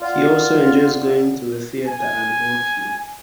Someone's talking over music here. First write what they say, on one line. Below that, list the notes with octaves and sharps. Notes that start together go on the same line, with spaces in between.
He also enjoys going to the theatre and walking.
F4 D5 F5 F#5
G#5